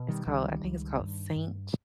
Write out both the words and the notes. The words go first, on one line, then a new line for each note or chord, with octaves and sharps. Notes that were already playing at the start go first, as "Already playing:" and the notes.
it's called I think it's called Saint
Already playing: B2
D#3 G3
C#2 D#3 G3
C#2
G2
G2